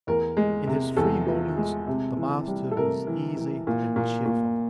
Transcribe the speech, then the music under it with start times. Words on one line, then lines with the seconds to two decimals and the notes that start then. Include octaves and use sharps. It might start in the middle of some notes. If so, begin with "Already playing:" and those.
In his free moments the Master was easy and cheerful.
0.07 E2 A#4
0.37 G#3
0.67 C3
0.97 E2 A4
1.27 F3
1.57 G#3
1.87 C3
2.17 E3
2.47 G3
2.71 A4
2.77 C3 A#4
3.07 E3
3.37 E3
3.67 A#2
3.96 A#2
4.26 A#2